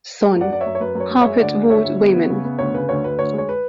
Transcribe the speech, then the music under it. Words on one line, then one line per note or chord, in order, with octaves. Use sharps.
Son, Harper Edward Weyman.
G#3
F#2
D5 F#5
F#2 D5
C#5 E5
F#2
C#5
F#2 B4
F#2
C#5
F#2
G#3 C#5 E5
D2 D5 F#5
G#3
D2 C#5 E5
D2
B3
B3
C#3
B3
D2 C#5
C#3 B4
D2 C#5
D2 B4
D2 C#5
G#3 C#5
B4